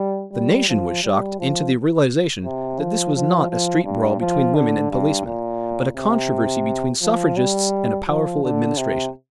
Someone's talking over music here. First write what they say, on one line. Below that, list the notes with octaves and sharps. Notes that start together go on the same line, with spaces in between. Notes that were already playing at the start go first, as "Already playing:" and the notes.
The nation was shocked into the realization that this was not a street brawl between women and policemen, but a controversy between suffragists and a powerful Administration.
Already playing: G3
G3
F3
G3
F3
C3
F3
F3
F3
G2
F3
D3
G2
A#2
C3
F3
G3
F3
D3
C3